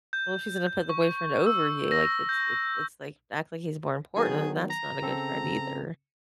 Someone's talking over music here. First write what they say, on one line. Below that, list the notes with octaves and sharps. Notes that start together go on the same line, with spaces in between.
Well, if she's gonna put the boyfriend over you, like, it's it's it's like, act like he's more important, then that's not a good friend either.
G6
G6
C#6
E6
A#6
G6
D#3 F#3 B3 G#4
A#5 A#6
C#3 C4 A4